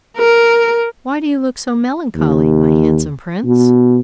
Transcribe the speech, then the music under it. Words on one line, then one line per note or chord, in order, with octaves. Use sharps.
'Why do you look so melancholy, my handsome Prince?'
A#4
D#2
B2